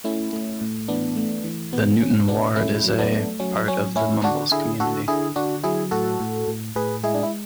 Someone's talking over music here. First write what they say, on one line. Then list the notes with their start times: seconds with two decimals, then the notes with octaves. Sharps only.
The Newton ward is a part of the Mumbles community.
0.04 A3 C#4 E4
0.33 A3
0.61 A2
0.88 E3 B3 D4
1.16 A3
1.44 E3
1.73 B2 B3
2.00 B2 C#4
2.28 B2 B3 D4
2.56 A3 C#4 E4
2.84 F#3
2.98 B3 D4
3.12 A3
3.40 F#3 C#4
3.68 F#3 C#4
3.96 A2 C#4 E4
4.24 D3 D4 F#4
4.51 D3 E4 G#4
4.80 D3 F#4 A4
5.08 D3 E4 G#4
5.36 D3 D4 F#4
5.63 F#3 E4 G#4
5.91 A2 F#4 A4
6.20 A2
6.47 A2
6.76 A2 G#4 B4
7.03 G#3 E4 G#4
7.14 D4
7.23 E4